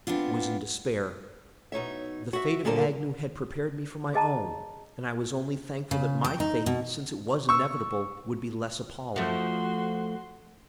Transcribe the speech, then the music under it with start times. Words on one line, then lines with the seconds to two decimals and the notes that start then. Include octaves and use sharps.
I was in despair. The fate of Agnew had prepared me for my own, and I was only thankful that my fate, since it was inevitable, would be less appalling.
0.07 B3 C4 D4 F4
1.72 B2 D#4 C#5 E5
2.33 F#4 E5
2.65 D#2 A#2 D3 G3 A#4 A5
4.14 G#4 D#5 A5 A#5
5.91 C#3
6.24 G5
6.40 D#4
6.66 B2
7.49 C#6 E6
9.16 F3 A3 F#4 C6